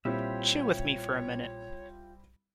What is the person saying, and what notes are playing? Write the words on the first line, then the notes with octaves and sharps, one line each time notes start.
Chill with me for a minute.
A#2 G3 C4 E4 F4 G4 C#5 E5